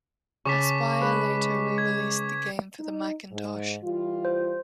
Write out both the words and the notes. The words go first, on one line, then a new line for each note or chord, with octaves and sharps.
Aspyr later re-released the game for the Macintosh.
C#3 A5 C#6 D6 B6
G#3 B4
G#6
D#4
G#2
E3 G3 F4
C5